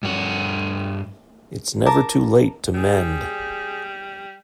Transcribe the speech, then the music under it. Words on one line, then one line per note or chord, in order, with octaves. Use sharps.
It's never too late to mend.
G2 F#4
A#4 A5 D6
G3 G#4